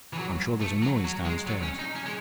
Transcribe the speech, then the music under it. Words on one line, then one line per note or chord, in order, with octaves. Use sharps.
I'm sure there's a noise downstairs.
E3
F#3
A3
F#3
F#3
G#3
F#3
C#4
D#4
C#4
G#3